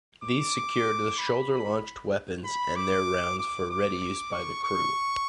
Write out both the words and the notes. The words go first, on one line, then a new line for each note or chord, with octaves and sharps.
These secured the shoulder-launched weapons and their rounds for ready use by the crew.
D6
B5
B5
B5
D6
D6
D6
C#6
C#6